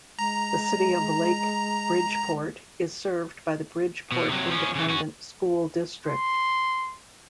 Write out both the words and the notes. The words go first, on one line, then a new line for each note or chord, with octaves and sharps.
The City of Lake Bridgeport is served by the Bridgeport Independent School District.
G#3 A#5
B2
C3 F#3
F3 C#4
C#3 E3
C#4 F#4
C6